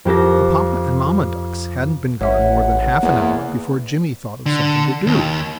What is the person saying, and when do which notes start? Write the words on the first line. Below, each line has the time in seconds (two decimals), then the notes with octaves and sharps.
The papa and mamma ducks hadn't been gone more than half an hour before Jimmie thought of something to do.
0.05 F2 G4 A4 A#6
2.21 A1 C#5 E5 F#5
3.03 E2 A#3
4.46 D3
5.07 D#2